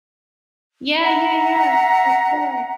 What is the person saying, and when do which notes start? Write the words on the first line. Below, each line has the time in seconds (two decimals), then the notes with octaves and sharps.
Yeah, yeah, yeah. For sure.
1.04 E5 F#5 A#5